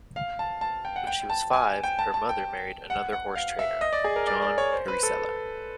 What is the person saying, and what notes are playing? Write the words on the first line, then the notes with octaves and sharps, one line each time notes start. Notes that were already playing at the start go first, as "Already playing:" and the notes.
When she was five, her mother married another horse trainer, John Parisella.
F5
A5
A5
G5
F#5
G5
A5
G#5
G5
A5
A5
G5
F#5
F#5
F5
E5
D#5
D5
G#4
A#4
D5
D5
C#5
C5
B4
A4